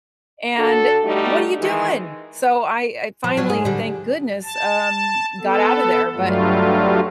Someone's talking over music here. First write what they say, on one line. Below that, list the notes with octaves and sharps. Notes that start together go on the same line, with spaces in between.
and what are you doing? So I I finally, thank goodness, um, got out of there, but,
D3 D4 F#4 A4
G3 A3 D#4 F#4 G4
D#3 E3 G#3
F3
F#3 G3 F4
G#2 G#4
D3 G3
A5
B3 A4
G2 F#3 G3 A3 F4